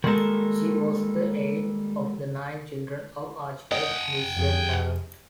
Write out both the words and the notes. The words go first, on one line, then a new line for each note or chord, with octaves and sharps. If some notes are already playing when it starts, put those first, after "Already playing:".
She was the eighth of the nine children of architect Lucien Parent.
D#3 G3 G#3 A#3 A4 A#4
D#5 F#5 G5
F2 G4 G#4